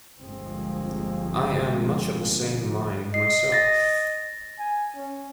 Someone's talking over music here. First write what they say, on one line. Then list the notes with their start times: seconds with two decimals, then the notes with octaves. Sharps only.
I am much of the same mind myself.
0.22 G1 D2 F3 G#3 A#3 C4
3.14 D#5 C7
3.52 A6 A#6
4.59 G#5
4.96 C#4